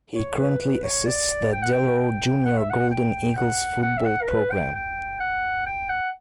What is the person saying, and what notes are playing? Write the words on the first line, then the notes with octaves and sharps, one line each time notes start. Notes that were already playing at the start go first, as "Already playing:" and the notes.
He currently assists the Del Oro Junior Golden Eagles football program.
C#5
B4
B4
C#5
D5
G5
F#5
G5
G5
F#5
E5
F#5
G5
F#5
F#5
E5
F#5
A#4
B4
G5
G5
F#5
G5
F#5